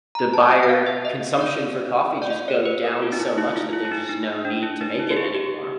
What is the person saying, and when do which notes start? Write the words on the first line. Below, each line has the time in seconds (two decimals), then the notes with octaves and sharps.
the buyer consumption for coffee just go down so much that there's just no need to make it anymore?
0.15 A#5
0.33 A5
0.51 F#5
0.63 F#5
0.69 F5
0.86 E5
1.05 D#5
1.41 D5
2.22 D5
2.30 D#5
2.48 C#5
2.66 B4
2.84 A#4
3.02 F4
3.12 D#4
3.20 E4
3.38 E4
3.56 F4
3.73 E4
3.85 E4
3.92 D#4
4.09 D#4
4.45 D4
4.63 E4
4.81 D#4
4.99 E4
5.10 G4
5.17 G#4
5.35 G4